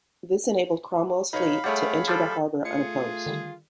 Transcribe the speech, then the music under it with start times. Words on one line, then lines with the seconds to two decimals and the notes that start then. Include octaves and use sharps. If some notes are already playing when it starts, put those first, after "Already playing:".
This enabled Cromwell's fleet to enter the harbour unopposed.
1.33 B1 D#4 C#5 F5 B5
1.64 G3 A3 G#4 C#5 F#5
2.08 F3 G3 D4 A4
2.65 A3 F4 G#4 C#7
3.26 D3 D#3 G3